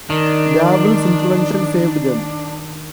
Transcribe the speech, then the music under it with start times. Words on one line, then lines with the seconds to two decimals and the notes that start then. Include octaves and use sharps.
Gavril's intervention saved them.
0.10 D#3 D4